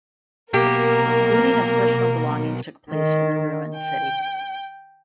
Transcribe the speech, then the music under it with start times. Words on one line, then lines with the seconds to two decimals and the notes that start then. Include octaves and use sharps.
Looting of personal belongings took place in the ruined city.
0.54 B1 B2 A#3 G4 A#4
2.91 D#3
3.76 G5